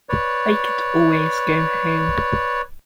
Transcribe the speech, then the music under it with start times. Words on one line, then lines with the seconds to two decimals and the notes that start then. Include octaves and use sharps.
I could always go home.
0.09 B4 C#5 D5